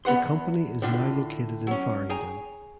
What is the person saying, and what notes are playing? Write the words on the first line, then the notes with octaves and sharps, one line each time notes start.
The company is now located in Farringdon.
E2 B3 B4 F#5 C6
A2 D3 D4 F4
F#3 C#4
G#4 G5 G#5 A#5